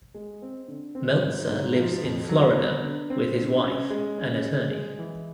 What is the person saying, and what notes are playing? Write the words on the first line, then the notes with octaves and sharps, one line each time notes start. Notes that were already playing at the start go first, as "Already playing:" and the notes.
Meltzer lives in Florida with his wife, an attorney.
G#3
C4
D3
C4
G#2
G#2
F3
F2
F#3
B3
D3
C4
D3
C#4
G#3
C#4
G#3
G#3
E3